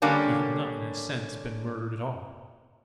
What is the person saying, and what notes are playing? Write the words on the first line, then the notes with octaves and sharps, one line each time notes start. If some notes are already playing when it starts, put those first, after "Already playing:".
He had not, in a sense, been murdered at all.
D3 G3 A#3 C#4 D4 G4